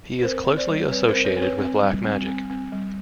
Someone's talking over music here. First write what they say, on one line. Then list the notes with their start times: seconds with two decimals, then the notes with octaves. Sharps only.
He is closely associated with black magic.
0.19 B4
0.23 C4 A#4 C5
0.47 C4
0.57 C5 D5
0.68 G3
0.91 C4 B4 C#5
1.08 A#4 C5
1.15 C4
1.25 B4 C#5
1.36 C4
1.42 B4 C#5
1.59 C4
1.82 G3
2.04 C4
2.27 C4
2.50 C4
2.72 G3